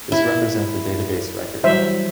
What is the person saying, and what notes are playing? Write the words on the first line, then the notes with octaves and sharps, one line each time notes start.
This represents a database record.
E4
E3 F#3 G3 C5 E5